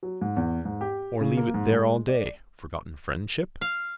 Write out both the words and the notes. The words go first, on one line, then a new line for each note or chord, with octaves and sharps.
Or leave it there all day, forgotten friendship?
F#3
G#2
E2
G#2
G4
C#3
A#3
G#2
G#3
D5
F5